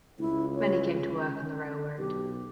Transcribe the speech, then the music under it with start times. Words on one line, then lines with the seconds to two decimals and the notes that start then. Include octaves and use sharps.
Many came to work on the railroad.
0.19 C#2 E4
0.56 C#5
0.96 C#4
1.98 B1 G4